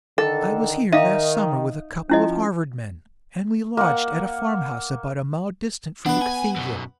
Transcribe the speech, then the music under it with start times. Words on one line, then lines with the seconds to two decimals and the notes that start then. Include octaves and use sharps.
I was here last summer with a couple of Harvard men, and we lodged at a farmhouse about a mile distant from the cathedral.
0.18 D3 D#3 A4
0.92 D#3 D#4 E5 F5
2.10 F3 C#4 E4 D#5
3.77 A#3 F#5
6.06 B3 D4 B4
6.22 G#5
6.56 F#2 B2